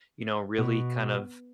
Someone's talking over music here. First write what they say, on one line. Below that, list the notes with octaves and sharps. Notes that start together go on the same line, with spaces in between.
you know, really kind of,
B2